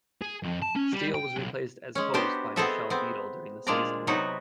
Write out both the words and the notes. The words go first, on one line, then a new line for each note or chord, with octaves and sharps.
Steele was replaced as host by Michelle Beadle during the season.
G#4
F2
A5
C#4
G3
G5
B1
G#3 C#4
B3 D4 F#4 G4 C5
B3 C4 G#4 A4 D#5 E5
B3 C4
A#2 G#3 D4 F4 D5 A#5
C3 F#3 B3 D#4 F#4